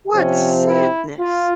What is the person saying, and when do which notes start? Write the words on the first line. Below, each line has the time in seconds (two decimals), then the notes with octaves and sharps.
what sadness.
0.14 C3 F3 C4 C#4
0.67 E4
1.20 F4